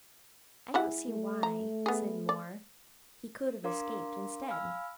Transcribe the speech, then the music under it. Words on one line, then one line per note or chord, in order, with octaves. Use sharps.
"I don't see why," said Moore; "he could have escaped instead."
G#3 E4 F#5
A3
A#5
B3 G#4
D5
D4 A#4 F5 A#5 C6 D6
F5 G#5 B5 E6 F6